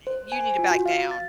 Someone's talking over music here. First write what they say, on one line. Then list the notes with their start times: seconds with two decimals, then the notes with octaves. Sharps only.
you need to back down
0.07 C5
0.32 G#5
0.59 F4
0.71 F#4
0.86 F5
1.11 A6